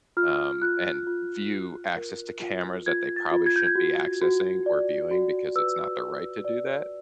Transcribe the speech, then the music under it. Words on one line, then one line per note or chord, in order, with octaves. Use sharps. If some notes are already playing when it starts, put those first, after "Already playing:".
um, and view access to cameras that they probably shouldn't be accessing or viewing because it's not their right to do that,
F4 F6
F4 F#6
F4
F4
A#4
F4
F4 G#6
A6
F4
G#6
G6
G#6
F#4
F#4
D5
F#4
B4 E6
F#4
D5